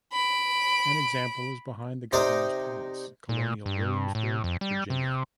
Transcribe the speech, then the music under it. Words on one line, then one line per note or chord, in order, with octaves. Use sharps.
An example is behind the Governor's Palace, Colonial Williamsburg, Virginia.
B5 D7
C3 D#4 C5 D5 D#5 D6
A#2
G2
A2
F2
G3
C3